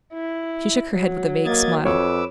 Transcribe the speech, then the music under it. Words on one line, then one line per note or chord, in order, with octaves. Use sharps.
She shook her head with a vague smile.
E4
F#3
A#3 D#5 G#6 A6
F2 B4 C#5 D6 E6